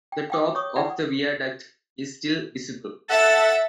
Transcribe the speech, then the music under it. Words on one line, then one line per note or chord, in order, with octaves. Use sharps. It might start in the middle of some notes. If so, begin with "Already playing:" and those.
The top of the viaduct is still visible.
G5
F5 G5 D6
C#5 C#6 D#6
D#4 E4 B4 D5 F#5 G5
A4 E5 F#5 A6